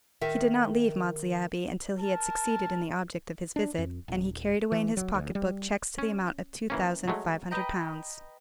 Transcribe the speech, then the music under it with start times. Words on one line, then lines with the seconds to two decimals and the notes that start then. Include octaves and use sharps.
He did not leave Maudesley Abbey until he had succeeded in the object of his visit, and he carried away in his pocket-book cheques to the amount of two thousand five hundred pounds.
0.21 D#3 A#4 E5
1.98 A#4 A5
3.56 D4
3.78 F2
4.08 D#1
4.72 E3
4.97 F#3
5.14 D2
5.35 G3
5.98 C#4
6.70 E3 A#3 C#4
7.08 F#3 G#3 A3
7.51 B4 D#5 G5 A#5